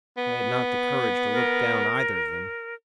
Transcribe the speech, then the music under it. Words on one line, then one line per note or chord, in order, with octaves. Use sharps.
I had not the courage to look down either of them.
B3
A#4